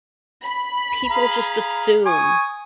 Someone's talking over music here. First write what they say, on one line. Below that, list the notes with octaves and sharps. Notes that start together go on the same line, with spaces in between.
people just assume
B5
G#4 F5 A#5
G#5 C#6 D#6